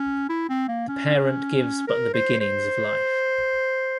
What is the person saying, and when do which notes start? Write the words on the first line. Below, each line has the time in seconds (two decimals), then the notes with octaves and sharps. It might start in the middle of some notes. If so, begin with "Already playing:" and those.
The parent gives but the beginnings of life.
Already playing: C#4
0.29 E4
0.49 C4
0.68 A#3
0.88 C#4
1.87 A#4
2.14 C5
2.41 C5